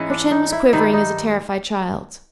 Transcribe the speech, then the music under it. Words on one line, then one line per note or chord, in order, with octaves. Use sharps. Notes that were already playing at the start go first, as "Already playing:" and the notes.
Her chin was quivering as a terrified child's.
Already playing: G#2 E3 G#3 C#4
D4
D#4
E4
G2 D#3 G3 D#4
D#4